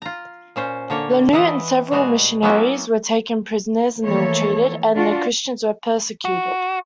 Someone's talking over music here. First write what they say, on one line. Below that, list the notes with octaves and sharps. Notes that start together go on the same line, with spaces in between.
Laneau and several missionaries were taken prisoners and ill-treated, and the Christians were persecuted.
F4 A#5
A#2 C#4 C5
D3 A#3 C#5
E3 E4 B4 D#5 F#5
B2 G3 G#3 F#4 G#5
F#3 A#3 B3 C#4 E4 F#4
E3 F3 A3 A#3 A4 C#5
D4 F4 F#4
F#4